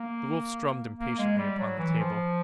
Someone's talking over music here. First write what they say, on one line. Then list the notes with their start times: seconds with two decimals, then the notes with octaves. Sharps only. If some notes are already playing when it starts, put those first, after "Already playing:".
The Wolf strummed impatiently upon the table.
Already playing: A#3
0.99 A#3
1.19 G#3
1.39 G3
1.59 F#3
1.79 E3
1.99 F3